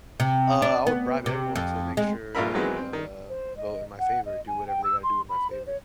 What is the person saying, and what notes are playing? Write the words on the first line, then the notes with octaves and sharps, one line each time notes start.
Uh, I would bribe everyone to make sure they, uh, vote in my favor, do whatever they gotta do in my favor.
C3
D4
B3
C3
F2
G#3
A#1 G2 F4 A#4 E5 B5
D#3 E3 F#3 G#3 B3 C4
C4
D#3
C5
D#5
F#5
D#5
G#5
G5
E6
C6
B5
C5
C#5